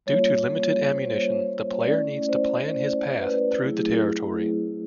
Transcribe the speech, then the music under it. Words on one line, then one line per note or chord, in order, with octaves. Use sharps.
Due to limited ammunition, the player needs to plan his path through the territory.
G3 A#3 C#4 F4 C#5
C5
A3 C#4 E4 D5
C5
B4
F#3 A3 C4 E4 G#4